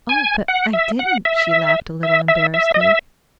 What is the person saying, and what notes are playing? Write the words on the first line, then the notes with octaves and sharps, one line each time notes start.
"Oh, but I didn't," she laughed a little embarrassedly.
G#5
F#5
E5
F#5
E5
E5
E5
E5
D#5
E5